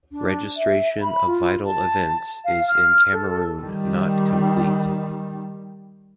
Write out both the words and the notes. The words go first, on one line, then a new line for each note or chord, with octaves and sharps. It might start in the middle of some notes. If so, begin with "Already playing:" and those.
Registration of vital events is in Cameroon not complete.
D4
E5
B5
F4
A5
F5
F6
A4
D#3 G3